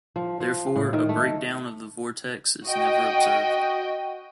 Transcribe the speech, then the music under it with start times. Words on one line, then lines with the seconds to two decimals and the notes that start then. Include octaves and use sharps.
Therefore a breakdown of the vortex is never observed.
0.16 F3
0.40 F3
0.76 A2
0.93 D#3
1.09 A3
2.66 F#4 D#5 G5